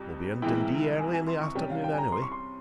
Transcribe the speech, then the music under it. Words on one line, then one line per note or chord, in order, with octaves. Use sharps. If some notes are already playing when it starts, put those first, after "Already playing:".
We'll be in Dundee early in the afternoon, anyway.
Already playing: F2 C3 G3
C2 C3 E3 G#3 E4 G5
G#5
G#5
C6
C#6
C3 G3 C#4 G5
F5
G5
G#5
A#5
C6
C#6
C6